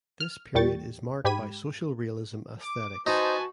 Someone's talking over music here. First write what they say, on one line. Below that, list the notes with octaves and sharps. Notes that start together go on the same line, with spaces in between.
This period is marked by social realism aesthetics.
F6
E2 A#2 G3 G5 C#6 A6
G#2 G4 B5 G#6 B6 D#7
D6
D#4 F#4 B4 C5 G#5 A5